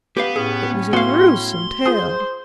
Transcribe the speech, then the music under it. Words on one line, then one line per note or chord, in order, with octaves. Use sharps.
It was a gruesome tale!
B3 G4 B4 F5
A2 C#4 G#4
A3 B3 F#4 F5 C6
F4 G#4 C5